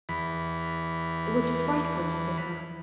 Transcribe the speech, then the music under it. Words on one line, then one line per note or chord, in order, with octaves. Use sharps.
It was frightful to think of.
E2 B5